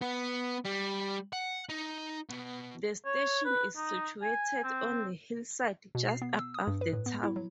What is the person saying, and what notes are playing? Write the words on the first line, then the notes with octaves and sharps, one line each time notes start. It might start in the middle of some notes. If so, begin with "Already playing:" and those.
The station is situated on the hillside just above the town.
B3
G3
F#5
D#4
B2
C#5
B4
D#4
G#5
C4
B2
C7
B3
E6
D#6
G2
B4
A2
B3
E4
F#3